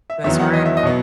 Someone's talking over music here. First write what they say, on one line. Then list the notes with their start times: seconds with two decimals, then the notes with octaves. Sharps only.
That's right.
0.10 E5
0.24 E2 D#3 F#3 B3 E5
0.39 F#5
0.53 D#5
0.65 E5
0.77 D#5
0.83 B2 F#3 B3